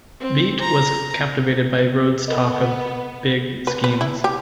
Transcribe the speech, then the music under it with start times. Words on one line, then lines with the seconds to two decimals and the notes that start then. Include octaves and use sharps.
Beit was captivated by Rhodes' talk of 'big schemes'.
0.20 C4
0.61 A#5
2.28 B3 A4 A#4 D#5
3.67 B4
3.84 B4
4.01 E4
4.24 G4